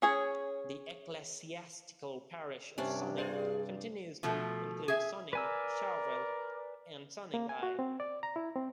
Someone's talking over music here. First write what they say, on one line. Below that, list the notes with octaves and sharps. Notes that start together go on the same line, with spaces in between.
The ecclesiastical parish of Sonning continues to include Sonning, Charvil and Sonning Eye.
C#4 G#4 C#5
G2 C3 C#4 D4
F4 G#4 C5 D5
B2 F3 A3
G#4 E5
A#4 B4 D5 G#5 E6
A#3
G#5
F#4
C4
D5
A#5
E4
C4